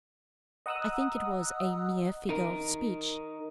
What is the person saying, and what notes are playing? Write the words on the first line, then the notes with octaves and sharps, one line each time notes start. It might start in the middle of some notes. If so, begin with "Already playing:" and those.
I think it was a mere figure of speech.
D#5 F#5 A#5 D#6 E6 F#6
D#4 A#4